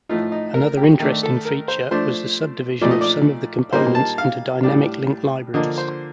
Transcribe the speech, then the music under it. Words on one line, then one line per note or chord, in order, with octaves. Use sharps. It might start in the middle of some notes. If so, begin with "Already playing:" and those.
Another interesting feature was the subdivision of some of the components into dynamic-link libraries.
A2 F3 A3 D#4 F4
D#4
A#4
G4
D#3 A3 D4
A4
A#4
C5
F3 A3 D4 C5
A#2 F3 A3 D#4 D5
D#5
D5
A#2 G3 A#3 D#4 C5
A5
F5
A2 G3 D4
D3 F3 A#3 D#5
C5